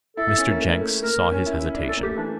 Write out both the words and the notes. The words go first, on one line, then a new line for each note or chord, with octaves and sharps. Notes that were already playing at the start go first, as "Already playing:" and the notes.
Mr. Jenks saw his hesitation.
E4 A4
E4
C#4
A#3
A3
A3
A#3 A#4
A#3
C#4
E4
E4
D4
C#4 A4
A#3
A3 G4
E3 D4